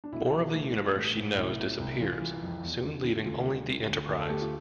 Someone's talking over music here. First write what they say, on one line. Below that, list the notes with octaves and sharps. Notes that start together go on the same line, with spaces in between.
More of the universe she knows disappears, soon leaving only the "Enterprise".
D4
B1 E4
F3
A3
A3
A1
A2
C2 E4
C3
C2
E3 F4
E3
F2
E2
D3
D3
D2 F4
G3
D2
D2
D2
A4
A3 G4
F4